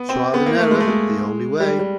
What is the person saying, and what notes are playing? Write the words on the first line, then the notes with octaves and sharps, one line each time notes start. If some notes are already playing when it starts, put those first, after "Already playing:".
Trial and error. The only way.
Already playing: B3
C4
B3
A#3
A3
G#3
A3
G#3
G3
G3